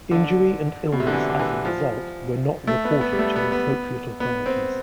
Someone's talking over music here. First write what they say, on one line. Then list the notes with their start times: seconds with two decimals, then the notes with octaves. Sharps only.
Injury and illness as a result were not reported to appropriate authorities.
0.11 D3
0.92 B2
1.00 C3
1.07 D3
1.13 E3
1.30 D3
1.39 E3
1.65 F3
2.67 A3
2.85 B3
3.01 B3
3.13 G3
3.19 A3
3.36 B3
3.52 B3
4.20 B3
4.46 C4